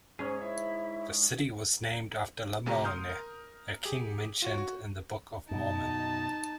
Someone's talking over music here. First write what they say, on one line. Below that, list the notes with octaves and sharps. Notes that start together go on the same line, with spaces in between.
The city was named after Lamoni, a king mentioned in the Book of Mormon.
G#2 C#4 G#4 C#5 G#5
E4
D2 C3 A3 F4 G4 A#5
C6 D#6 F6 G6
A#4
G4 G#4
F4 F#4 C#5
F#4
F#2 B2 D#4 A5